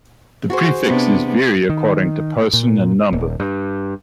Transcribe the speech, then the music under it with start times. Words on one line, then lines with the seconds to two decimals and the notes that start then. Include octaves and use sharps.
The prefixes vary according to person and number.
0.50 F#4 G#4 C5
0.86 C3 B3 D4
1.70 D#3
2.53 A#2
3.13 D#1
3.40 G2